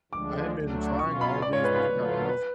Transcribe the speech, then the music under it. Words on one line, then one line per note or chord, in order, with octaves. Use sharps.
I had been trying all these different kind of health st
D2 D3 F3 G#3 D4 D6
D2 D3 F#3 A3 D4
B2 F#3 C#4 F4 C#6
B5
G#2 G#3 C#4 F4 D5
C#5
B4
B4
D3 F#3 A3 F4
B4